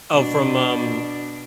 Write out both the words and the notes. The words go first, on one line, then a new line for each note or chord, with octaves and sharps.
Oh, from, um
B2 D4